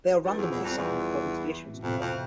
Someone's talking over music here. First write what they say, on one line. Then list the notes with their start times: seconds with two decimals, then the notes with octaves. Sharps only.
They are randomly assigned according to the issuance number.
0.24 G2 F3
0.38 E2
0.43 F3
0.51 E2
0.59 F2 G3
0.77 E2 E3
1.65 A2
1.74 B2
1.83 F2 C3
2.01 F2